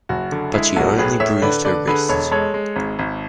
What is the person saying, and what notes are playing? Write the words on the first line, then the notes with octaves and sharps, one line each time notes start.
But she only bruised her wrists.
F#1 F#4
D3
G#3 E4 G#4
B1 F#4 A4
A2 G#4 B4
A2 C#5 E5
D3 B4 D5
D3 B4 D5
D3 G#4 B4
E1 A4 C#5
G#3 A4 C#5
G#3
G#1
G#1